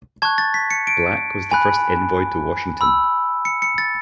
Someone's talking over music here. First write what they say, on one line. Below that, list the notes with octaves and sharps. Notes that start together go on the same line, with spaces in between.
Blak was the first envoy to Washington.
A5 C#6 F#6 G#6
A6
B6
C#7
D7
G#5 B5 F#6
B5 E6
C#7
C#7
A6